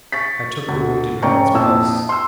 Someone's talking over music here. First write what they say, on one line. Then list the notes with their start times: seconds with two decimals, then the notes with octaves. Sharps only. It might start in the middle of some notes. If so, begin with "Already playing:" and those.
I took the wounded man's pulse.
0.12 C#6 A6 B6
0.68 D2
1.22 F1 C#4 D5 G5 A#5 C#6
1.54 A#1 F2 E4 E6
2.09 C6 E6